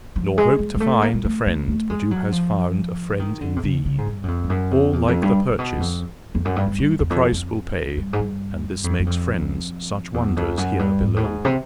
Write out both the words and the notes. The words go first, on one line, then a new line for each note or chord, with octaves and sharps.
Nor hope to find A friend, but who has found a friend in thee. All like the purchase; few the price will pay And this makes friends such wonders here below.
F3
G#3
G#3
G#3
A3
A#3
G#3
A3
A3
A3
G#3
F#3
F3
D#3
D3
C3
C#3
C#3
G#2
G2
F#2
F2
G2
F#2
F2
E2
F2
G2
A#2
B2
F#2
F2
F2
F#2
G2
G2
G2
E2
F2
F2
G2
G#2
G2
F2
F#2
F2
E2
F2
F#2
G2
G#2
A2
G#2
C3